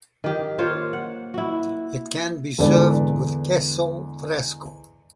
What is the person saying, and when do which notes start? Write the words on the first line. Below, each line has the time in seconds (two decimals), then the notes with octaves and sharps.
It can be served with "queso fresco".
0.24 D#3 G4
0.58 A#3 F4 C5 C#5
0.93 F#5
1.34 E4 F#4
2.58 E2 G#2 D3 A4 B4 D5